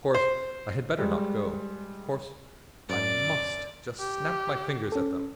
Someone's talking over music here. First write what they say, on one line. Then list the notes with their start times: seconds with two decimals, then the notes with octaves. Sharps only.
Of course I had better not go; of course, I must just snap my fingers at them.
0.15 C5
0.98 G3 G#3
2.89 F#2 D5
4.00 G4
4.92 C#4 A4